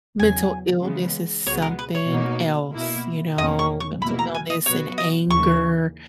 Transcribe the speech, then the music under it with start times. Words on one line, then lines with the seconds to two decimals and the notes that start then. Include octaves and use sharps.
mental illness is something else, you know? Mental illness and anger,
0.19 E2 C#3 F#3 G#5
0.82 C#3 E3 G#3 B3
1.47 C#2 B2 G#3 B3 C#5
1.62 A#4
1.79 B4
1.95 C#5
2.10 B2 A#3 D#4
2.75 B2 A#3 E4
3.38 E2 B2 A#3 C#4 D#5
3.59 C#6
3.80 C#6
4.02 B2 A#3 E4 B5
4.19 A#5
4.34 G#5
4.50 D#5
4.65 B2 F#3 B3 F#4 C#5
4.98 D#5
5.30 D#2 C#3 E3 A#3 C#6